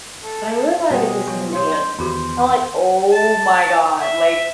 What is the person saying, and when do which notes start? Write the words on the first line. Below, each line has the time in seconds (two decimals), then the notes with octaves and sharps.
but I really wanna get this new game." I'm like, "Oh my god, like,
0.23 A4
0.91 B2 G3 G#3 G#4 C5 F#5
1.28 F#3 B3
1.53 G4 C5 C#5 F5
1.72 D4 D5 D#5
1.99 E2 D#3 F#4 G4 C5
3.12 A5
3.98 E5